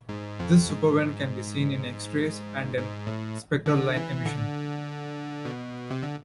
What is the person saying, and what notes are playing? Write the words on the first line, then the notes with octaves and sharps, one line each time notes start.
This superwind can be seen in X-rays and in spectral line emission.
G#2
F2
G#2
G#2
A2
D3
E3
D3
B2
C3
D3